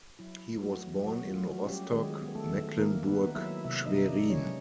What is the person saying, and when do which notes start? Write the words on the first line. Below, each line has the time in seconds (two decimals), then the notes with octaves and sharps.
He was born in Rostock, Mecklenburg-Schwerin.
0.19 F#3 E4
0.49 A3
0.62 F#3 F#4
0.77 F#3
1.06 F#3 F#4
1.28 F4
1.34 A3
1.49 F#3 F#4
1.63 C#4
1.70 G3 G4
1.92 D#3 G#3 G#4
2.21 B3
2.35 A3 A4
2.50 D#3
2.78 D#3 A#3 A#4
3.07 B3 B4
3.35 F#3 E4 E5
3.64 C3 E4 E5
3.86 D#4 D#5
3.94 C3
4.07 D4 D5
4.22 G#3
4.30 C#4 C#5